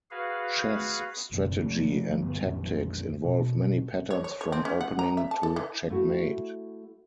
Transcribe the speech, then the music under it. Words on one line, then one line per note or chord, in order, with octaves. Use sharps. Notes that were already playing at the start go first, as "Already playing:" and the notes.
Chess strategy and tactics involve many patterns from opening to checkmate.
F#4 G#4 B4 F5
F#1 F#2 B2
F3 A3
D1 D2 G2 B3
F2 A#2 F#3
B2
C#5
C#5
C#5
C4
C#4
F#5
A#5
E5
A5
A4
E3
A3 E4 F#4